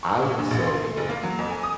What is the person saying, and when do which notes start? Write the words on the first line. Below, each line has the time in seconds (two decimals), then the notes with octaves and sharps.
I would say
0.03 C#6
0.22 A#2
0.39 G2
0.51 A#1
0.66 C6
0.84 A3
0.97 F#1
1.09 A#3
1.23 F#3
1.39 F2
1.51 G#5
1.63 D#6